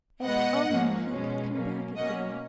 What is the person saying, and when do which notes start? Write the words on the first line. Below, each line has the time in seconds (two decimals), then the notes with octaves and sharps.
If only he could come back again!
0.23 B2 G#3 B3 D#5 F#5
0.67 G#2 F3 A#3 C#4
1.10 B2 G#3 C#4
1.53 B2 F#3 A#3 C#4
1.96 B2 A#3 C#4 D#5 F#5